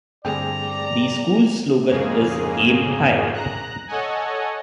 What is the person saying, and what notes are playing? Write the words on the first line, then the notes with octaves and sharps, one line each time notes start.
The school's slogan is "Aim High".
G2 D3 A3 C4 G#4 D5 G5 A#5
F2 G#2 C#3 A#3 G#4
A#5 F#6
A4 C#5 D#5 F#5 G#5